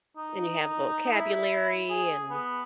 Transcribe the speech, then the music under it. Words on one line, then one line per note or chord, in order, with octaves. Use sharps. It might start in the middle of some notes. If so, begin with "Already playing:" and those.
And you have vocabulary and
D#4
E4
G#4
B3